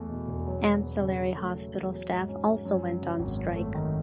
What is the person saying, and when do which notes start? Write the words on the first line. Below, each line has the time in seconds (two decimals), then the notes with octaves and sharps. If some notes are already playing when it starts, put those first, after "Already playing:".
Ancillary hospital staff also went on strike.
Already playing: E2 A3
0.10 B2
0.28 E1
0.46 F#3
0.65 F#4
0.83 B3
1.00 C#3
1.18 C#3
1.37 A3
1.55 F#3
1.74 E2
1.92 F#3
2.10 G#2
2.29 C#4
2.47 G#2
2.65 F#2
2.83 F#3
3.01 C#3
3.19 G#1
3.38 F#2
3.56 A3
3.75 D#3